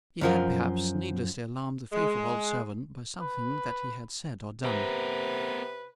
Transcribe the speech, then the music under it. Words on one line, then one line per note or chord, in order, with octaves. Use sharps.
He had perhaps needlessly alarmed the faithful old servant by something that he had said or done.
F#2 F3 A#4
G#3
B4
C3 B3 A#4 B4